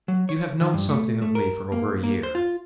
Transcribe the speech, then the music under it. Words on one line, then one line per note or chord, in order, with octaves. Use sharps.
You have known something of me for over a year.
F#3
C#5
D#3
G2
A3
A3
A#4
A#3
A#3
C5
F4